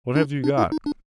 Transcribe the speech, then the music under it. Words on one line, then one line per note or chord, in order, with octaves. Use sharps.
"What have you got!"
D4
D4
E4
D#4
D4